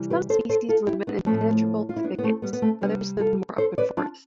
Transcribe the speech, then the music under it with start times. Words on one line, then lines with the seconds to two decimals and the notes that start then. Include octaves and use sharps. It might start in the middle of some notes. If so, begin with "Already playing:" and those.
Some species live in impenetrable thickets; others live in more open forest.
Already playing: C3 E3 G3
0.10 G4 B4
0.30 A4 C5
0.49 A4 C5
0.69 F4 A4
0.87 E4 G4
1.07 B3 D4
1.26 A2 F3 A3 C4
1.89 F4
1.96 E4
2.04 B3 D4
2.19 B3
2.23 A3 C4
2.42 G3 B3
2.53 B3
2.62 A3 C4
2.81 C3 G3 B3 D4
3.19 F4 A4
3.58 A4 C5
3.78 B4 D5
3.97 D4 F4